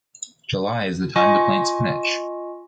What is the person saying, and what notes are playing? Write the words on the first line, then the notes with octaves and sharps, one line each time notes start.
July is the time to plant spinach.
F4 D#5 G#5 C#6